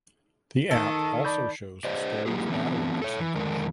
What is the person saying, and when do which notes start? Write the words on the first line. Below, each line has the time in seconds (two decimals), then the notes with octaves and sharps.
The app also shows the Stories’ battery percentage.
0.71 D#3 A4
1.25 D5 B5 G6
1.85 G4 C5 D5 D#5
2.26 F#3 A#3 C#4 E4 G4 G#4
2.49 E3 F#3 A3 B3 C4 D4
3.02 A4 C#5
3.20 E3
3.35 F2 D3 D#3 G#3 D4 A#4